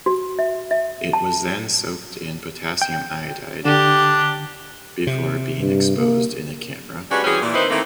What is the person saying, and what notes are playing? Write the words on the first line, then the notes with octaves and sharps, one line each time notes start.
It was then soaked in potassium iodide before being exposed in a camera.
F#4
E5
E5
A5
G5
D3 D4 G4
C3
G2
A#3
G#3 C#4 D4 F#4 G4 B4
E3 G3 C4 C#4 F#4 G#4
A#2 E3
D#3 C4 D#4 E4 B4 C5
D#3 E3 A3 A#3 C4 E4